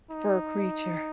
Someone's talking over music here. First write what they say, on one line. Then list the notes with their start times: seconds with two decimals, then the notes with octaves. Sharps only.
fur creature,
0.11 D#4